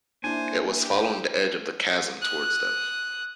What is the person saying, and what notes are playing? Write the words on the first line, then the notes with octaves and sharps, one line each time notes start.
It was following the edge of the chasm towards them.
A#3 D4 E4 C5 G#5
G4
D#6 F#6